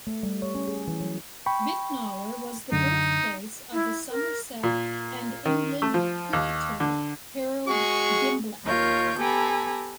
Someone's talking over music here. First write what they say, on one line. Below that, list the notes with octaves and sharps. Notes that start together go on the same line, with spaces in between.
Bicknoller was the birthplace of the Somerset and England cricketer Harold Gimblett.
A3
G3
C#5
C#4
G#4
E3
F#3
G5 B5 C#6
F#2 D3 D#4
E4
A#4
A#2
D#3
A3
F3
D#2
D3
G#3 F#4 G#4 C#6
D#2 F4 A#4 C#5 G6
B3 G4 A4 G#5 A#5 B5